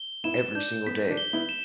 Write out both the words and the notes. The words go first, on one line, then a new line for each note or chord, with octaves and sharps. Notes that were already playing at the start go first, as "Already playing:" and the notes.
every single day.
Already playing: G7
B3 E4 E7
D4 G6
B3 B6
D4
G7
B3 E4
E7